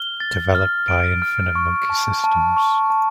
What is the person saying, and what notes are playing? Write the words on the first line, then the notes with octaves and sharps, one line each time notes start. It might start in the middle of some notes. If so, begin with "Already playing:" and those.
Developed by Infinite Monkey Systems.
Already playing: F6 G7
A6
F6
D7
F6
C#6
A5
A5
C#6
A5